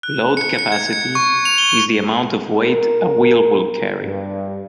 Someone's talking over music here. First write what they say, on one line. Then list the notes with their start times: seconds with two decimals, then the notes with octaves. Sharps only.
Load capacity is the amount of weight a wheel will carry.
0.03 F#6
0.37 C#7
0.59 C#7
0.72 G#6
0.93 C#7
1.15 C#6
1.45 F7
1.58 G7
2.63 A#4
4.01 G2